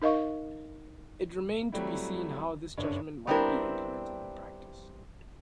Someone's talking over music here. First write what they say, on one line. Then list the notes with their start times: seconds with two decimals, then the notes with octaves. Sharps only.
It remained to be seen how this judgment might be implemented in practice.
0.02 D#4 A#4 D#5 F5 C#6
1.72 F#3 G3 A3 C4 E4
2.78 F#1 G2 D4 C#5
3.27 G3 B3 C4 D4 E4 A#4